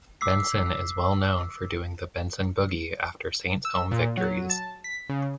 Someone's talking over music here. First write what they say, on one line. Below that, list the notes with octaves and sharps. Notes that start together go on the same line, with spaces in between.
Benson is well known for doing the "Benson Boogie" after Saints home victories.
D6 E6 B6 C7
E6
A#2
F#3
A5
B6
C#3